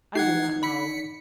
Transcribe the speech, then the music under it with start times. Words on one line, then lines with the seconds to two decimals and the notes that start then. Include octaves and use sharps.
I do not know.
0.15 D#4 G4 F#5 G#6 C7
0.63 B5 B6 C#7